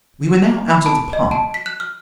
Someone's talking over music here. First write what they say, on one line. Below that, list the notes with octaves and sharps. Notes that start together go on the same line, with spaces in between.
We were now out of the park.
B5
A5
D#5
A5
B6
F#6
F6